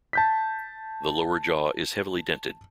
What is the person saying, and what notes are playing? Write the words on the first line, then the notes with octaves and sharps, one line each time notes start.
The lower jaw is heavily dented.
A5 G6 B6